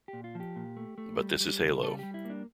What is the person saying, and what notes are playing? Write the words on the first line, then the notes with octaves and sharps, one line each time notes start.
But this is Halo.
G4
A#2
F4
F3
G4
A#2
A3
A3
G3
G3
C#3
G3 A4
G3 G4
E4
A#3 D4